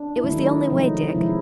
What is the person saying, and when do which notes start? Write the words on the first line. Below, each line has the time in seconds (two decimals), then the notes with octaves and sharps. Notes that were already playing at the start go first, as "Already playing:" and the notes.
'It was the only way, Dick.
Already playing: D4
0.16 E4
0.24 D#3 F#3 A3 D#4
0.70 C3 F3 G#3 D#4
1.08 D#4
1.15 C3 F3 G#3 E4